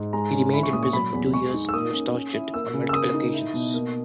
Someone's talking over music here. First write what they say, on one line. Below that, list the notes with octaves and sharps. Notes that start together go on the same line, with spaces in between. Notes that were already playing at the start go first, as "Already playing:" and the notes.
He remained in prison for two years and was tortured on multiple occasions.
Already playing: G#2
G#3 A#5
C#4
E4 B5
C#6
A#2 D#6
C#6
F#3 B5
E2
G#3 C#6
D#4
E6
A#3 D#6
C#4
C#4
E4
A#3 E6
C#3
E6
A#3 D#6
D#4
E4
B2
A#3